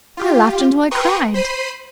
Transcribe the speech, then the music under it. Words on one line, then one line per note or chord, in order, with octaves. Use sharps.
I laughed until I cried.
F4 G4
B4 G5 A#5 C6 C#6 D#6
C5 B5 C7 D#7